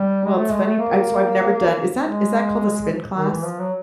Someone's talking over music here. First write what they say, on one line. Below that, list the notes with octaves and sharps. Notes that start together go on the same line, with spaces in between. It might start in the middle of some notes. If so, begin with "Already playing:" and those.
Well, it's funny b so I've never done is that is that called a spin class?
Already playing: G3
G#3
A3
G#3
A3
A#3
G#3
D#3
E3
F3
F#3